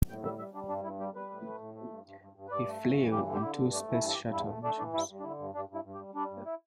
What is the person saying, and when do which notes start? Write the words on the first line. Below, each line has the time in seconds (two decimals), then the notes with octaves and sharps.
He flew on two Space Shuttle missions.
0.09 A2 G5
0.24 G3 E5
0.38 G3 E5
0.54 G3 D4
0.69 G2 D4
0.84 G2 E4
1.00 G3 G4
1.14 G3 B4
1.30 A2
1.45 A3
1.60 A2
1.75 A3
1.90 G2
2.06 G2
2.21 G2
2.35 G2
2.48 B4
2.51 G2 D5
2.67 A3
2.82 G2
2.97 E3
3.11 G2 G4
3.27 D3
3.34 G4
3.42 D3 E4
3.58 G2
3.72 A3 D4
3.88 E3
3.93 E4
4.02 G2
4.08 A4
4.13 G4
4.18 G2
4.32 E2 E4
4.48 A3
4.63 A3 D4
4.78 E3 D4
4.93 G2 E4
5.08 G2
5.20 D4
5.23 D3 E4
5.39 G2
5.54 G2 D4
5.69 G2
5.75 E4
5.84 G2
5.94 G4
6.00 G3
6.15 G3 D4
6.31 G2
6.46 E4